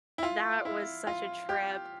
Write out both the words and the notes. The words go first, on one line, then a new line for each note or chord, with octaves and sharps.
That was such a trip.
E4
F4
E4
F4
G4